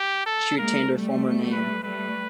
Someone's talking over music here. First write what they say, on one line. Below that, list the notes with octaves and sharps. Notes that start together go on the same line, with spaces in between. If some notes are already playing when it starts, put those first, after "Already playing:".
She retained her former name.
Already playing: G4
A4
G#3 A#3 A#4
G3 A3
B4
G3 A3 B4